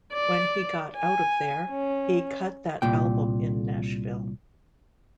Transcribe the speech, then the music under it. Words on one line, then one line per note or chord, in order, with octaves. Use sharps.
When he got out of there, he cut that album in Nashville.
D5
G#5
C#4
C2 A#2 G5